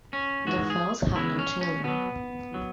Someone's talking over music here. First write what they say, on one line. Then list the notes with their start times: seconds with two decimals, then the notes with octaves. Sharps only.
The Fells have no children.
0.13 C#4
0.47 G#2 E3 G#3 F#4
0.70 G#4
1.16 E2 C#3 E3 G#3 E4
1.39 C#4
1.61 C#4
1.84 B2 F#3 B3
2.54 F#3